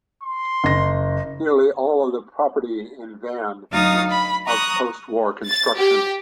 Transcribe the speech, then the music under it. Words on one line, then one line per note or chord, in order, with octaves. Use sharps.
Nearly all of the property in Van is of post war construction.
C6
F#1 A#6
D2 F#3 D#4 F5 D#6 A6
B5
A#5 C#6 D#6 F#6
A6
G4